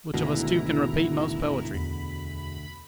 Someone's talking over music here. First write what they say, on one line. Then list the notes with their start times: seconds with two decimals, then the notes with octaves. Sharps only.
Which of us two can repeat most poetry?
0.14 D2 G#2 B2 D#3 E4 A#5
1.74 E2 B5